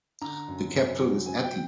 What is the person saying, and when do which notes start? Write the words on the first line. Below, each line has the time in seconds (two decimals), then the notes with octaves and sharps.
The capital is Ati.
0.22 D3 A#5
0.48 F#2
0.74 F#2
1.00 F#3
1.25 C#3 G#5
1.44 G5